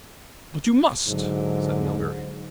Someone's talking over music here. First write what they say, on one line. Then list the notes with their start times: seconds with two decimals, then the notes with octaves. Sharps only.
"But you must," said Melbury.
1.07 G#2 D3 F#3